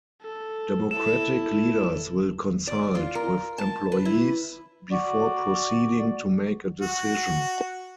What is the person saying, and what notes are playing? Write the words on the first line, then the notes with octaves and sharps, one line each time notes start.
Democratic leaders will consult with employees before proceeding to make a decision.
A4
E4 A4 E7
D5
F4
A#4
A5
B4
E4
F#4 D5
F#4